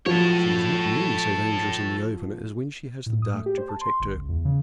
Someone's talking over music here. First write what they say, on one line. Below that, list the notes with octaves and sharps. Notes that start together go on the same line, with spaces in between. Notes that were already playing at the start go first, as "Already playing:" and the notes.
She is not nearly so dangerous in the open as when she has the dark to protect her.
F3 F#3 A4 C#5
A2
D#6
A3
G4
C5
A5
C6
G1
C#2
E2
C#3